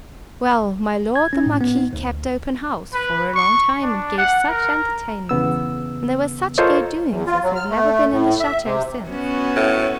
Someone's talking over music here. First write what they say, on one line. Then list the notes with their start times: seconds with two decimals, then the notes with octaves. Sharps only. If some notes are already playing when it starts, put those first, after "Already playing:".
Well! my lord the Marquis kept open house, for a long time, and gave such entertainments and there were such gay doings as have never been in the chateau since.
1.16 G#6
1.33 C#4
1.46 A2
1.61 B3
1.77 D#4
1.93 D2
2.04 D2
2.93 B4
3.35 C#6
3.82 D4
4.18 F#5
4.49 A#4
5.29 E2 C#3 B3 E6
6.58 F4 A4 A#4 C5 C#5 D#5
7.08 E2
7.26 F4
7.43 F#3
7.56 F6
7.70 A3
8.11 A2
8.40 E5
8.64 C3
9.10 B3 C#4 F#4
9.56 A2